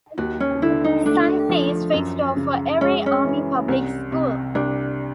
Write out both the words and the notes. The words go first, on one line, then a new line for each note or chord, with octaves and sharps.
Sunday is fixed off for every Army Public School.
D#2 F#4
C#4
D3 E4
D#4
A3 D4
F3
F#2
C#3
G#3 C#4
C#4
E3
C2
C3
C2 D4